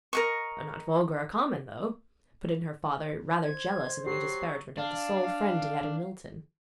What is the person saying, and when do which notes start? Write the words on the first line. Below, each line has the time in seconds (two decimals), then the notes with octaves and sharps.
'Not vulgar, or common though,' put in her father, rather jealous of any disparagement of the sole friend he had in Milton.
0.13 A#4 D#5 C#6
3.44 C5 G#6
4.06 F#3 G4 C7
4.78 D4 F5